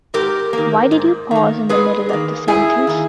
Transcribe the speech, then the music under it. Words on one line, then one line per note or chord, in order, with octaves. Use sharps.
Why did you pause in the middle of the sentence?
G#2 G4 A#4
D#3 A#3
G#2
D#3 A#3
G#2 G#4 B4
D#3 A#3
G#2 E4 G#4
D#3 A#3